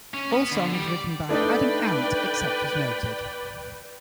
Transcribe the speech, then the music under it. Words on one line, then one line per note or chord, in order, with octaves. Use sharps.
All songs written by Adam Ant except as noted.
C#4
B3
D3
G3
D5
A3 D4 D#4 B4 D5 G5